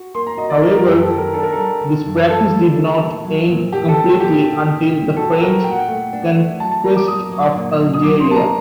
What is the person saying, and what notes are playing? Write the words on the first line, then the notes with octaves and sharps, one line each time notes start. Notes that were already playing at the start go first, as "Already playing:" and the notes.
However, this practice did not end completely until the French conquest of Algeria.
Already playing: F#4
A#3 C6
A#5
F#4 D#5
D5
F#4 A#4
A#4
F#2 G4
A4
D#3
A#4
D4 A4
A#4
G3 A4
D#3
F#2
G3 A4
G3
A3
A#2
F#3
A#2
A#2 G4
A4
A#2
A#2 G4
A#2
A#2
A#2
F#4 A4
F#4 A#4
A#2 G5
F#5
G5
A3
D4
A3
F#3 A5
A5
A#3 A#5
D6
F#3 D#6
F#3
A#2
F#3
D#6
F#3 D6
C6
A#3 A5
A#5